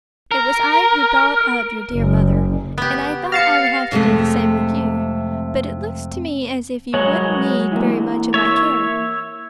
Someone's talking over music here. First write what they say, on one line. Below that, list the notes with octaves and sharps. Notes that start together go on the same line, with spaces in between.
It was I who brought up your dear mother, and I thought I would have to do the same with you; but it looks to me as if you wouldn't need very much of my care.
A#4
F#1
B3 G4
F5 F6 A6 A#6 C7 C#7 E7
F2 C3 G#3 A3
C2 F#3 G#3 C#5
E3 A#3
C#5 E5